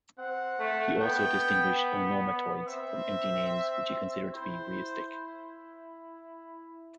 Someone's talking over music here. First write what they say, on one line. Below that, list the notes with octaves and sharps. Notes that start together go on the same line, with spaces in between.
He also distinguished onomatoids from empty names, which he considered to be reistic.
C4 F#5
A3
B3 G5
C4 E5
E4 C5